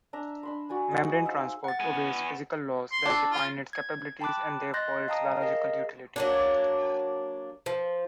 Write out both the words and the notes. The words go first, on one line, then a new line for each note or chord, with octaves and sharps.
Membrane transport obeys physical laws that define its capabilities and therefore its biological utility.
D4 E5 A#5
D4 B5 C6
F#4 D5 G#5
D#5
G#4 F#5
D#4 C5 E5 F5
F#5 A6
B3 G#5
C6
D4 A4
F4
G#6
G5 A5 B5 D6 F#6
D#5 C6 F#6 G6 A6 A#6
D#5 F5 G5 A5 A#5 D#6
G#4 A#4 D#5 F5
F#3 A#3 D4
F3